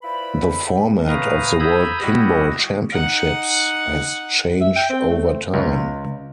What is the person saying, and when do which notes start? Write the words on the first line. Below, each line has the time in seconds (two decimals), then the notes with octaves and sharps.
The format of the World Pinball Championships has changed over time.
0.03 E4 F4 B4 C5 D5 B5
1.08 A2 B4 F5 A#5 D#6
1.60 A#5 B5 D#6 E6 G6 G#6
2.02 G3 E4 F#4 D#5
2.92 D#4 F#5
4.61 E5
4.76 G5
4.90 C4
5.09 A3
5.26 C5
5.54 C#2